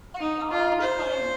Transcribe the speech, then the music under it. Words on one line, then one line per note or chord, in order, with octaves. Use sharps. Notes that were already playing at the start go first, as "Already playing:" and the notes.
like, oh my g
D#4
F4
C5